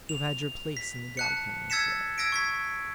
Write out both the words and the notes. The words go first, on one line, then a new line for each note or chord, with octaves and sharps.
You have had your place in the dog-kennel as well.
F7
B6
A5 F#6 C#7
E6 G#6 A6 B6 C#7 E7
E6 G#6 A#6 B6 D7
C#6 G#6 B6